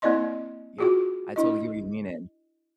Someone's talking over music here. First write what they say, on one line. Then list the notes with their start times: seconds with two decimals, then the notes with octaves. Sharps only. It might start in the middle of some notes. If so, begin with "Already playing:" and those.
Yeah, I totally hear what you mean, and,
0.02 A#3 C4 E4 D5 D#5 C6
0.79 F4 F#4 G#4
1.36 D4 E4 D#5